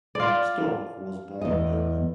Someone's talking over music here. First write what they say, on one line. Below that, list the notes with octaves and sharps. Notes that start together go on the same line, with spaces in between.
Storck was born in Berlin.
F4 D5
E2 D#5